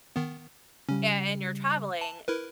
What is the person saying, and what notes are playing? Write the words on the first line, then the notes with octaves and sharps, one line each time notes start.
a and you're traveling
D#3 B3
C#3 G3 C#4
A5
E4 A#4 B4